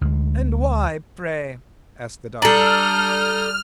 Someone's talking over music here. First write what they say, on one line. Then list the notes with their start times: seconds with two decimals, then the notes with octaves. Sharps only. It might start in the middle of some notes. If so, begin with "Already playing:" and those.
"And why, pray?" asked the Doctor.
0.01 D2 G#3
2.42 G3 D4 A4 A#5 D#6 F6 G6 F#7